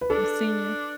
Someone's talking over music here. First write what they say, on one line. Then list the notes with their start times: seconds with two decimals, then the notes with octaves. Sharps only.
the senior.
0.01 B4
0.10 D4 A4